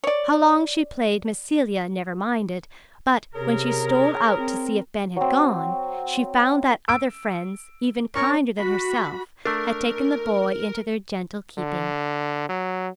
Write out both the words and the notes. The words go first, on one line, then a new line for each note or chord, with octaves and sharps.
How long she played Miss Celia never minded; but, when she stole out to see if Ben had gone, she found that other friends, even kinder than herself, had taken the boy into their gentle keeping.
C#5 D5
C3 C#4 G#4 A#4
C4
F#3 C4
E6 D7
C#4 A#4 C#5 C#6
F#4 B5
A3 D4 A#4
D3
F#3